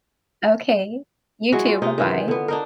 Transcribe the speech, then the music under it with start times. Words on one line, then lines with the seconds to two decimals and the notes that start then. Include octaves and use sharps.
Okay. You too, bye-bye.
1.52 F#3 G#3 E4 F#4
1.66 F4
1.82 C3 D#4 F4
1.98 D#3 E3 F4
2.28 D3 B3
2.48 D4 D#4 A#4